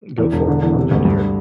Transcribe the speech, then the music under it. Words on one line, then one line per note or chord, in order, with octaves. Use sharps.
Go for it, I'm down to hear it.
E2
E1
D3
E2
C3
D2
G2